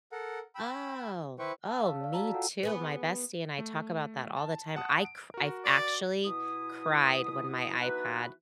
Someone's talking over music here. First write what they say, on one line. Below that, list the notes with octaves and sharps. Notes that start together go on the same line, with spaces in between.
Oh. Oh, me too. My bestie and I talk about that all the time, I cr I've actually cried when my iPad
A4 A#4 F#5
G5 B5 E6
E4 B4 C5 G5 C#6
A5 E6
F5
C#5 D5 F5
F#4 A5 A#5 E6
F4 A4 F#5 G5 E6
B3 G#4 B4
A3
A5
F#5 A5 D#6
D7
F#4 A#4
D5
B2 E4 D#6
E3 B3 D#4 F#4 B4